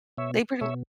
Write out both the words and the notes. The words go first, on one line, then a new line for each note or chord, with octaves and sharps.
they pretty m
B2 C#5 E5
B2 C#5 E5